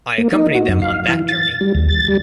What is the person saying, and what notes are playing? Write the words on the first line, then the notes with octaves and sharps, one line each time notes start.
I accompanied them on that journey...
A#3
D#4
F#4
F#2
F5
E3
A6
G3
D#2
A6
G3